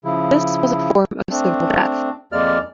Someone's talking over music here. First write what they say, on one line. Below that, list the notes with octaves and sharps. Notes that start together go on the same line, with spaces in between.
This was a form of civil death.
C#3 F3 E4
A3 C4 D4
F2 G#3 A#3 D5 F6